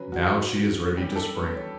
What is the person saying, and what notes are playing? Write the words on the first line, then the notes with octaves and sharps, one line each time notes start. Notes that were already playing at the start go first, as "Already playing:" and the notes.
Now she is ready to spring.
Already playing: C#3 F#3 C#4 B4
F#4
E3 G3 C#4 G4
G4
A4
B4
C#5